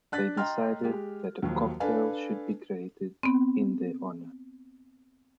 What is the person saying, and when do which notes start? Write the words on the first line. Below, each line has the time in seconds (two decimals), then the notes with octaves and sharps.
They decided that a cocktail should be created in their honor.
0.12 D4 F#6 A6 B6
0.37 D#5 G5 A#5 C6 F6
0.83 G#3 G4
1.42 D#2 F3 F#3
1.80 D4 A4 B4 F5 G#5
3.23 B3 C4